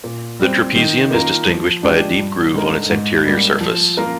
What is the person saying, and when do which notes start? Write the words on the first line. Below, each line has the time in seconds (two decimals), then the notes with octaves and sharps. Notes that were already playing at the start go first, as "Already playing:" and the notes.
The trapezium is distinguished by a deep groove on its anterior surface.
0.04 A#2
0.39 G3 C4
0.76 D#3
1.11 A#3 F4 A#4
1.47 F3
1.82 G#3 D4 G4
2.18 G2
2.54 D3 G#3 D#4 A#4
2.90 G#2
3.25 G3 A#3
3.61 F3
3.97 A#3 F4 A#4